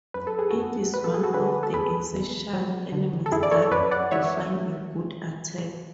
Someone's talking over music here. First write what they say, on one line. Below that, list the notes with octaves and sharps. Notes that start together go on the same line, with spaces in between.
It is one of the essential elements that define a good attack.
F#2 B4
A4
G#4
F#2 F#4 A4
F#3 B4
A4
G#4
F#4 A4
D3 G#4 B4
A4
E2 G#4 B4
E2
F#3
D3
A4
F#2 E4 G#4
D5
A4 C#5
C#5
F#2 B4 D5
D5 F#5
E3 C#5 E5